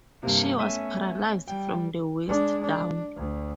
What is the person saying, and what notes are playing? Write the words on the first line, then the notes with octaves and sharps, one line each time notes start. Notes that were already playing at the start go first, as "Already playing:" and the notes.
She was paralyzed from the waist down.
G2 C3 A#3
A3 B3 C#4 E5 D#7
G3 G5
G#3 D4
D4
D2